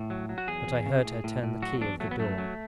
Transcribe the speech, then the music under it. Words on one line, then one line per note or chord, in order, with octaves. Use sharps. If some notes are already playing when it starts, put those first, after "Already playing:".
But I heard her turn the key of the door.
Already playing: A2
F#3
F#3
F#4
E2 G#4
E2
C#3
A2
A2
A2
F#3 F#4
E2 D4
F#3 A3
B3
F#2 A3
F#3